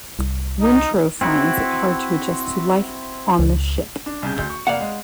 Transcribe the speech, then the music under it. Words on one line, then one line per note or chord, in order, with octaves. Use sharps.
Wintrow finds it hard to adjust to life on the ship.
C2
D#4
C4 E4 F#4
C#2
D4
C2 C#3 G6
D2 G6
C#6
F1 A#3 D5 F5 F#5
G#3